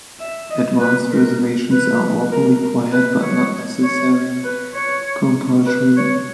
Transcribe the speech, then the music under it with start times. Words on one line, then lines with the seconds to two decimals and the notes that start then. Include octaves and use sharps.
Advance reservations are often required but not necessarily compulsory.
0.19 E5
0.50 D#5
0.80 B4
1.10 A#4
1.71 B4
2.32 A#4
2.62 A#4
2.92 B4
3.22 C#5
3.83 C#5
4.44 B4
4.74 C#5
5.66 B4
5.97 C#5